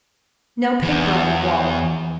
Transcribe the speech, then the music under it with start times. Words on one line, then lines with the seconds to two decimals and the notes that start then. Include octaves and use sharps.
No paper on the wall!
0.83 E2